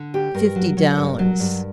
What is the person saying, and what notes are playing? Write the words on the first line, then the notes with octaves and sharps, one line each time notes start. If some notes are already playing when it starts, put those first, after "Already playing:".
"Fifty dollars."
Already playing: D3
D2 G4
G2 A#4
F#3
F#3
G2
F#3
G2